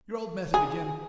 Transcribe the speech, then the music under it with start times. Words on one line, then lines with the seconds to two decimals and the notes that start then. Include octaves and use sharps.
Your old method again.
0.54 G#4